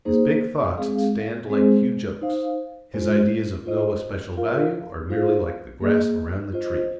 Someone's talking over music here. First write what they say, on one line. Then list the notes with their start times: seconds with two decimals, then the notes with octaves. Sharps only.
His big thoughts stand like huge oaks; his ideas of no especial value are merely like the grass around the tree.
0.05 A#3 D#4 G#4 C5
0.77 G#3 C4 G#4 F5
1.49 G#3 C4 G#4 C5
2.22 D#4 C5 F5
2.94 G#3 F4 C5
3.65 F4 C5 D#5
4.37 F4 A#4 F5
5.09 F4 G#4 C5 F5
5.81 A#3 G#4 D#5
6.53 F4 C5 D#5